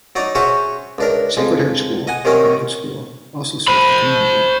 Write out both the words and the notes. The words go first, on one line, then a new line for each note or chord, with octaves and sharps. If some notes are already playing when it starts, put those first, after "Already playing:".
Sacred Heart School, a private school, also serves the community.
F#3 D#4 D5 A#5
C#4 F#4 G#4 C5 C#5 E5
C#2 D4 A#4
F2 G#3
D#5 F#5 G#5
C3 D#3 F#3 C#4 A#4
C5 B5